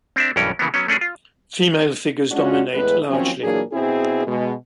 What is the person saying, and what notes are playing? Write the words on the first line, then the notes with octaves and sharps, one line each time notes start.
Female figures dominate largely.
C4 D4 E5
B1 G2 E3 C#4 A#4
C#3 E3 A#3 B3
F#3 B3 C#4
A3 C#4 D4 G#4
F4
G#3 C#4 D4 F4 F#4
E2 A2 G#3 B4
D#2 F3 F#3 C4 C#4
A#2 E3 F#3 A#3 D4 G#4
B2 C4 E4 G#4
B2 G#3